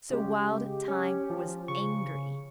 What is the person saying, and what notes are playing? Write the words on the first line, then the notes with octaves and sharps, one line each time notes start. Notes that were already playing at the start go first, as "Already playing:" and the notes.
So Wild Thyme was angry.
C#3 G#3 G4
C#4
F3
C#3 C#6